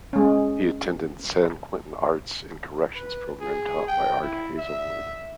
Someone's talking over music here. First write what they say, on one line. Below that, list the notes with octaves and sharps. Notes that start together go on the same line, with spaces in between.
He attended San Quentin Arts in Corrections Program taught by Art Hazelwood.
G#3 C#4
B4
G#4
G5
E4
E5